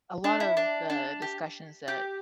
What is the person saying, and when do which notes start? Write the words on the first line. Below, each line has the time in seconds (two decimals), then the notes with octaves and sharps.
the, uh, a lot of the discussions that,
0.24 D4
0.40 E4
0.57 D4
0.90 D4
1.22 G4
1.88 G4